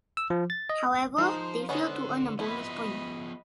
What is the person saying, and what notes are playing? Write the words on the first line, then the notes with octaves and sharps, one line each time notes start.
However, they failed to earn a bonus point.
E6
F3
A6
D#5
F3 G#3 D#4 C5
D3 B3 C#4 C5 D#5
F3 B3 E4 B4 D#5 B5